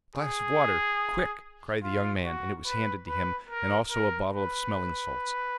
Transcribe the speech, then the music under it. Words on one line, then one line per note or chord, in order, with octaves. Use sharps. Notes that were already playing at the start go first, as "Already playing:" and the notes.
"A glass of water, quick!" cried the young man, and it was handed to him, and also a bottle of smelling salts.
G#4
F4
F#4
B4
B4
A#4
A#4
B4